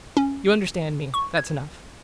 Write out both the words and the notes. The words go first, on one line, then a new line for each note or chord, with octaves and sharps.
You understand me; that's enough.
C#4
C#6
G#6